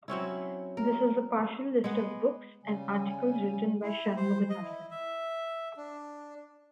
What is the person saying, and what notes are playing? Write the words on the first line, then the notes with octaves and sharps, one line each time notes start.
This is a partial list of books and articles written by Shanmugathasan.
F#3 C4 C#4 E4
A#4
G#3 B3
C#3 G3 G#5
E4
C5
D#5
E4
E5
D4